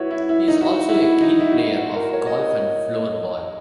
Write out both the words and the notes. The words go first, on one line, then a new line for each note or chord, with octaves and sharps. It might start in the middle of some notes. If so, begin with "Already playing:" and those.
He is also a keen player of golf and floorball.
Already playing: E4 F#4 B4 C#5
E4
E4
D#4
F#4
E4
E4
D#4
E4
F#4
E4
F#4
A#4
C#5
D#5